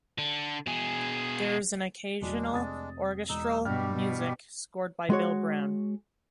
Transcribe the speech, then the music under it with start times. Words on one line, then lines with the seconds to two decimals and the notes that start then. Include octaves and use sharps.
There is occasional orchestral music, scored by Bill Brown.
0.19 D3
0.67 B2 G#4
2.21 E1 F#3 G#3 D4
2.52 F1 D#6 A6
3.29 E1 D#4 E6
3.65 G2 B2 G3 G4 F6
3.95 B2
5.10 G#3 F#4 C#5